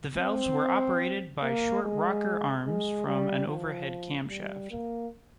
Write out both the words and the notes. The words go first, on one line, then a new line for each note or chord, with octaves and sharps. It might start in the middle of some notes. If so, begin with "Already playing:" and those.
The valves were operated by short rocker arms from an overhead camshaft.
C4
A#3
G#3
G#3
G3
F3
G3
A#3